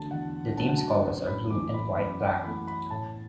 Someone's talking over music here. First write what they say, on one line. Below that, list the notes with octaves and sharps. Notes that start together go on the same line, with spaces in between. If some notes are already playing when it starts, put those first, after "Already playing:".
The team's colors are blue and white-black.
Already playing: E2 D3 F#3 A3 A5
E2 F#5
D3 F#3 A3 A5
F#5
A5
F#2
B5
E3 A3 D6
B5
F#2 B5
F#5
E3 A3 B5
B5
A2 A5